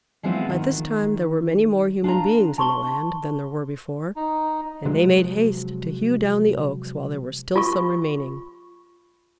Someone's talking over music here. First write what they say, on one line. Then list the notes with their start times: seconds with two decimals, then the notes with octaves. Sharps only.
By this time there were many more human beings in the land than there were before, and they made haste to hew down the Oaks while there were still some remaining.
0.23 E3 F3 G#3 B3 C4 E4
0.49 D#3
2.04 D4 F4 G#5 A#5
2.58 A5 C6 C#6 G7
4.16 D#4
4.85 C3 F3 F#3 G#3
7.56 F4 C#6